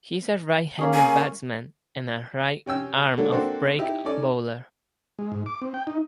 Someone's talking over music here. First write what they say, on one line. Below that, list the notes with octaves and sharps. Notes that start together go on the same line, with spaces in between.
He is a right-handed batsman and a right-arm off-break bowler.
A#3 C#4 G#4
G#5
C3 C#4 G5 E6
D3 F#3 G#3 A#3 A4
A#3 C4 D4 F#4 A4 C5
D#4 E4 G4 E5
C#4 D#4 A4 D5
G#3
G#2
D6
C4
G5
D#4